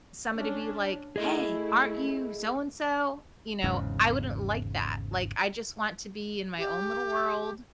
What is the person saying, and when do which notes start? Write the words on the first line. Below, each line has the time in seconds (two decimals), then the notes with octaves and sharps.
somebody be like, "Hey, aren't you so-and-so?" you know, I wouldn't like that, like, I just want to be in my own little world,
0.36 C#4 D4
1.16 A3 E4 G#4 D#5
3.64 G#1 E2 G#2 C#3
6.58 G4